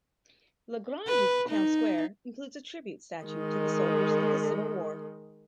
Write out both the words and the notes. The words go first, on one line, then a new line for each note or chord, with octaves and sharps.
LaGrange's town square includes a tribute statue to the soldiers of the Civil War.
B4
D#4
D#3 G#3